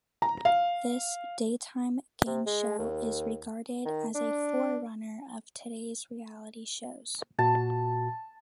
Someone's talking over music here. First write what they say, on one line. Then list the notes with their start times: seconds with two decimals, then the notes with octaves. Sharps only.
This daytime "game show" is regarded as a forerunner of today's reality shows.
0.22 A#5
0.45 F5
2.26 C3
2.46 G#3
2.79 D#2
3.85 D#3
4.15 D4
7.39 A#2 F#4 A5